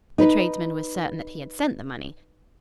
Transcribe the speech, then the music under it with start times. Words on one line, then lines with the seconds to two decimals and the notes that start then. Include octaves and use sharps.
The tradesman was certain that he had sent the money.
0.18 D#4 B4